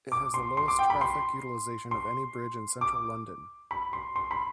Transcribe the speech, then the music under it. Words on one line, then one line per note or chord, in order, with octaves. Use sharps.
It has the lowest traffic utilisation of any bridge in central London.
D6
C6
C6
D6
G5
B5
C6
C6
D6
B5
C6
C6
B5